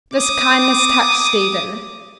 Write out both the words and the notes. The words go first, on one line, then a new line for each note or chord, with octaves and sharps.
This kindness touched Stephen.
D6 D#6